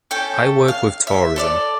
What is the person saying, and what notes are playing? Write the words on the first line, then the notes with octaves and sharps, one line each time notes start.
I work with tourism.
C#4 A4 G5
F5
E5
A4 C#5 D5